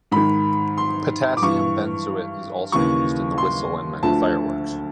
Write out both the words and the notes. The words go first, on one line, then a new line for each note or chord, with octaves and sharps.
Potassium benzoate is also used in the whistle in many fireworks.
G#2 D#3 B5
C6
D6
G2 E3 C#6
D#2 C#3 E3 C#6
C6
D2 D3 F3 A5